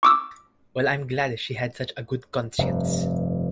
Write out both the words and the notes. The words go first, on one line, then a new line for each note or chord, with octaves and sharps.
Well, I'm glad she had such a good conscience.
C#6 D6 E6
F1 G2